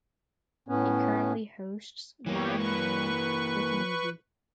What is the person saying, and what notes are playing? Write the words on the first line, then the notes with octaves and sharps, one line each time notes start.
He currently hosts "Martin Yan - Quick and Easy".
A2 B3 C#4
E3 A#3 B3 G4 C#5
B4 C#6